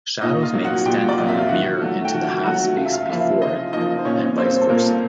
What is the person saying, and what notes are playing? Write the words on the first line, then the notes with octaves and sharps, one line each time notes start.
Shadows may extend from the mirror into the halfspace before it, and vice versa.
A#2 D#4 D#5
F4 F5
F#3 A#3
F#4 F#5
A#2 G4 G5
D5
F#3 A#3 D#5
E5
F5
D#3 F#4 F#5
F#3 A3
G5
D#3 F#4 F#5
F#3 A3 F#4 F#5
C#3 F5
E5
F4 F5
F3 A#3 E4 E5
C#3 D#4 D#5
F3 A#3 D#4 D#5
C5
A#2 C#4 C#5
G3 A#3 C4 C5
A4
A#2 A#3 A#4